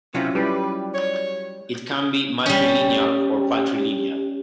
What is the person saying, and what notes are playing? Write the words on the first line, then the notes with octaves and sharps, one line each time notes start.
It can be matrilineal or patrilineal.
C3 F3 F#3 C4 C#4 E4 F4
G3 E4 G4 B4
C#5
G3 C#4